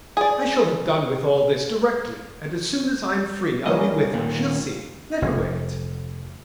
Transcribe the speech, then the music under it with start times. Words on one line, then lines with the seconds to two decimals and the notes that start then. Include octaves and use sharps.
I shall have done with all this directly, and as soon as I'm free, I'll be with her, she'll see, let her wait.
0.17 G#4 D5
3.66 G3 A#3 C#4 D#5
4.13 D#2 A#2 D#3
5.22 F1